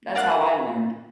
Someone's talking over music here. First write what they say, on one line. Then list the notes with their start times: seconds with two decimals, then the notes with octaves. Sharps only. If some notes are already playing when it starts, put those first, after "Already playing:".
that's how I learned.
0.15 A#4 D5 F5 F#5